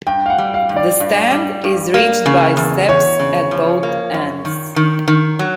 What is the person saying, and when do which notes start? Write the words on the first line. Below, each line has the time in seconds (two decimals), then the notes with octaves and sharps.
The stand is reached by steps at both ends.
0.07 G2 G5
0.26 F5
0.30 F#5
0.38 G3
0.54 F5
0.69 G2
0.76 D5
1.00 G2
1.31 G3
1.64 G2
1.94 A#3
2.26 C#3
2.57 E2
2.89 E2 C#5
3.19 C#3
3.51 F3
3.83 A#3
4.14 F#2
4.45 D#3
4.76 D#3
5.08 D#3
5.39 F#3